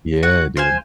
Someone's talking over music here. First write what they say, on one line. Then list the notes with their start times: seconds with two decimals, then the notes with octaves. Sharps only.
Yeah, dude.
0.23 F#4 F#5
0.57 C5 F5 G#5